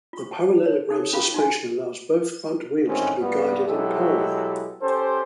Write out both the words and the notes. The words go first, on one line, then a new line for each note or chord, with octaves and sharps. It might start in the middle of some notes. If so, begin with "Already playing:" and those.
The parallelogram suspension allows both front wheels to be guided in parallel.
F4 C#6
F#5 A5 C#6
C#5
D#4 A4
C#4 F4 A#4 F5 B5 D6
D#4 F#4 G#5
A1 G#2 D#3 C4 C#4
G2 B3
B2 F#3 G#3 E4 G4 A4
C#4 G4 A4 C5